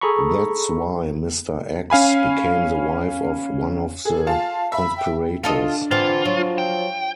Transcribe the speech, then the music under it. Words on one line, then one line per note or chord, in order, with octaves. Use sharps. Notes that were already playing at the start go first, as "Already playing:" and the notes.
That's why Mr. X became the wife of one of the conspirators.
G#4 A4 A#5 B5 C#6
C#4 F5 G#5 B5
G#4 A4
F4 F5 A5
E5 B5
G5
D4 F4 A4 D#5
D3 E3 C4 F4
F3 F#3
G5